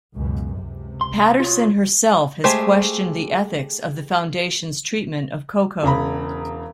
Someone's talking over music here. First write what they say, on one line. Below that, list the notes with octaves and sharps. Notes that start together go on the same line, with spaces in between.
Patterson herself has questioned the ethics of the Foundation's treatment of Koko.
C#2 F#2 B2
C#2 C3
C6
F4 F#4 C#5
G#3 A3 G4 G#4 C5
E1 C#3 A#5 B5